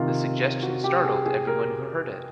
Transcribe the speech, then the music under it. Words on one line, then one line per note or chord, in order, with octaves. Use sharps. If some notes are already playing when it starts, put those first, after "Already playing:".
The suggestion startled every one who heard it.
Already playing: C3 D#3 F4
F#4
G4
G#4
G#4
A#4